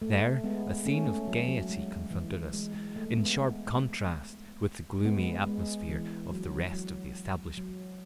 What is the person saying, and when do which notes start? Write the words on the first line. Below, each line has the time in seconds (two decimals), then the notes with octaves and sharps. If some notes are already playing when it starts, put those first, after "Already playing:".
There a scene of gayety confronted us, in sharp contrast with the gloomy atmosphere of the rest of the establishment.
0.02 A3
0.44 G#3 B3
0.85 A3 C#4
1.06 A3
1.28 F#3
1.48 F#3
1.69 G#3
2.11 E3
2.53 G#3
2.74 G#3
2.96 A3
3.16 G#3 B3
5.05 G#3 B3
5.47 G#3
5.89 E3
6.31 F#3
6.73 F#3
7.57 F#3